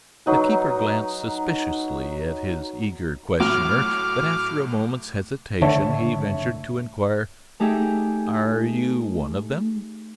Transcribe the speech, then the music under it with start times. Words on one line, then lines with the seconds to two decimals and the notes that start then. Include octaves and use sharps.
The keeper glanced suspiciously at his eager questioner, but after a moment's hesitation, he ventured to inquire: "Are you one of them?"
0.26 F#3 D#4 B4
3.40 A2 F#3 D6 F6
5.61 F#1 D3 A3 C#5 E5 A5
7.60 A3 D#4 G4 G#4 E5 G5